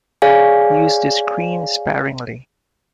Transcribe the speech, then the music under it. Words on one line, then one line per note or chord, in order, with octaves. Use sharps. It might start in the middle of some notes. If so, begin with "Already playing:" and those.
Use this cream sparingly.
G#4 C#5 D5 F5 G#5